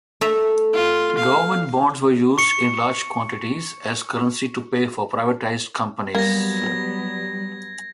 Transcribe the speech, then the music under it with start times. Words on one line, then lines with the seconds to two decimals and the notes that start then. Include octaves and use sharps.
Government bonds were used in large quantities as currency to pay for privatized companies.
0.21 A3 E5 A#5
0.73 F4
1.18 F5
2.38 C#6 C#7
6.15 F#3 G3 A#3 B3 G#6 A#6